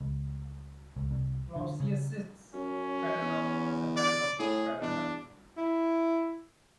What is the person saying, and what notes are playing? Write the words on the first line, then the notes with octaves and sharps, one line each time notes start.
Clausius's paradox is a paradox of paradigm.
C#2
C#2
C2
D3
C#3
F#2 C#4
E2
D5
A2 G#4
E2 D4
E4